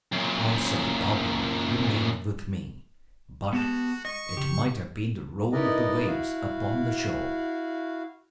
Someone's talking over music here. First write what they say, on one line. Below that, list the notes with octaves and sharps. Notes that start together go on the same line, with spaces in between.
The voice of the organ remained with me, but it might have been the roll of the waves upon the shore.
F#2 A#2
G#3 B3 F#4 G4 A5
D#5 C#6
C#3 G4
D#4 E4 A#4 B4 D5 D#5
E4 F#4 F5